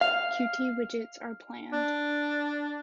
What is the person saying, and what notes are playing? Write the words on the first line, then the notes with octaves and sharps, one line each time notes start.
Qt widgets are planned.
F5
D4